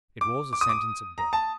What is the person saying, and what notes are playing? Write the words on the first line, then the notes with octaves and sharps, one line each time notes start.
It was a sentence of death.
D6
D6
D#6
D6
A#5
A5